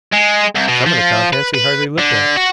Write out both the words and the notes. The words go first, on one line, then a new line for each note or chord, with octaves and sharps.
Some of the contents he hardly looked at.
G#3
C2
B2
F3
B4
B4
D3
F#4